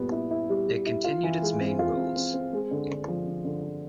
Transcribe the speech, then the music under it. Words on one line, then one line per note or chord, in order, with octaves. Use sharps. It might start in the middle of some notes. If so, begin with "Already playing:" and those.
It continued its main roles.
Already playing: A#2 G3 B3
E4
E4
G3
G3
E4
F4
E3
G#3
C4
F4
C4
C4
C4
G#3
D3
D3
F3
D3
D3
F3